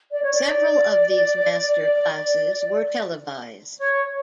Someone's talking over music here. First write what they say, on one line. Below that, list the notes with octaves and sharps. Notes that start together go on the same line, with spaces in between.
Several of these master classes were televised.
D5
C#5
D5
C#5